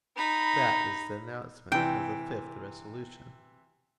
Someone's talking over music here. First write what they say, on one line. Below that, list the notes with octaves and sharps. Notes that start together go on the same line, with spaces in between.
That is the announcement of the fifth resolution.
D#4 B5
C3 E3 G5